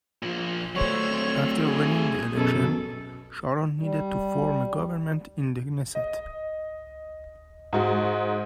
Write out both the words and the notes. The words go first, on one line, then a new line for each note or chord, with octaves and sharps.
After winning the election, Sharon needed to form a government in the Knesset.
A#2 F3
F#3 A3 C5 C#5
C4
G#4
F#2 B2 A4
G3
D#5
G#2 F#4